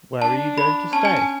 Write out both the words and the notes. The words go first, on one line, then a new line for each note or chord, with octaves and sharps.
Where are you going to stay?
D4 A5
B5
C#4 A5
G#5
G#5